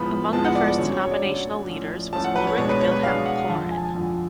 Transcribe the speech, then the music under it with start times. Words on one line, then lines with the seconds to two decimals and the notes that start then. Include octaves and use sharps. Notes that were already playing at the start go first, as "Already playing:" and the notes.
Among the first denominational leaders was Ulrik Vilhelm Koren.
Already playing: A2 F3 G#3 B3 B5
0.33 A2 F3 G#3 B3 A5
0.45 F#5
0.55 D5
0.67 D5
0.78 D3 F#3 C#4 C#5
0.90 C#5
1.01 C#5
1.11 D5
1.23 D3 F#3 C#4
1.68 A2 F3 A3 C#4
2.13 A2 F3 A3 C#4 A5
2.24 F#5
2.36 B4
2.47 C#5
2.58 B2 G#3 B3 D4 C#5
2.69 B4
2.81 C#5
2.92 B4
3.03 B2 G#3 B3 D4 F5
3.26 F#5
3.48 F2 D3 F3 A5
3.71 G#5
3.78 A5
3.85 G#5
3.93 F2 D3 F3